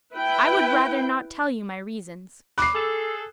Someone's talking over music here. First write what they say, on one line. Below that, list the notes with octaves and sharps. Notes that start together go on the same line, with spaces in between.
"I would rather not tell you my reasons."
E4 B4 G5
B5 D6 F#6 C7
G#4 A4